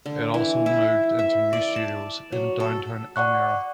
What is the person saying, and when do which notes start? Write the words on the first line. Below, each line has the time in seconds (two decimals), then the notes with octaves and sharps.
It also moved into new studios in Downtown Elmira.
0.06 D3
0.34 E3
0.66 E4
1.19 E5
1.53 D5
1.76 A5
2.32 F#3
2.60 A4
3.16 D5 F#5 C#6 F#6